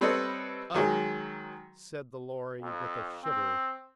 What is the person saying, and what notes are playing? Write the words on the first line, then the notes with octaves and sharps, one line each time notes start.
'Ugh!' said the Lory, with a shiver.
G3 C4 A4 B4 C#5 D#5
D#3 F#3 G#3
F2
C4